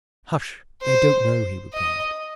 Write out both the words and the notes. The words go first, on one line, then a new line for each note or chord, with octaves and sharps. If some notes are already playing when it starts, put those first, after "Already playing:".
"Hush, they don't know," he replied.
C5
D#5